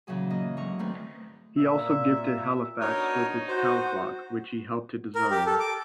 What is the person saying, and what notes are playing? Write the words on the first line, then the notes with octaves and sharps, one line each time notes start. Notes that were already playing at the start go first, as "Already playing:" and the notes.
He also gifted Halifax with its Town Clock, which he helped to design.
A#2 C#3 E3 F#3 G#4
E3 A#3 D#5
G#2 D3 F#3 A#5 C#6
D3 D#3 A3 C4 B4
A#2 E5
B3 D4 D#4 F#4 A#4 C#5
F#4 C5
A#4
G4
A4
D6